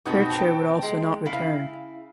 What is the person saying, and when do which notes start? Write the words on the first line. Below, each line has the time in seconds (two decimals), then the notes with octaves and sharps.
Kircher would also not return.
0.06 B2 B3 C4 D#4 F#4 D#6
0.30 G5 A5
0.82 G#3
1.25 C#3 E4 F5